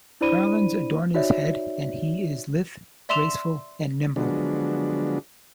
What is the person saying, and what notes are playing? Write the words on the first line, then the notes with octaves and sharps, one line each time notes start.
Garlands adorn his head, and he is lithe, graceful, and nimble.
D4 E4 C5 D5 B5 D#7
D#4 F#4 C#5 D5 E5
D5 E5 C6 E6 E7 F7
D3 F3 F#3 G#3 B3 D4